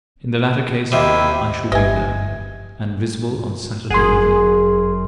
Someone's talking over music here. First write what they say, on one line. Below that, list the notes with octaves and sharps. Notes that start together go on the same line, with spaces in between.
In the latter case I shall be there, and visible on Saturday evening.
D#2 C3 E4
G1 G4 B4 D#5 E5 G#5
G1 F#2 G#4 F#5 C6